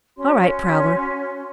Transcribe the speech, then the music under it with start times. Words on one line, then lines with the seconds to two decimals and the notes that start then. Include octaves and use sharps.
"All right, Prowler."
0.16 C#4 F#4 C#5 C6